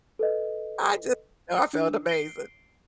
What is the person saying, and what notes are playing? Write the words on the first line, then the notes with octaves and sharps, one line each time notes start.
I just I felt amazing.
A4 B4 D#5
D4
C7 D7 G7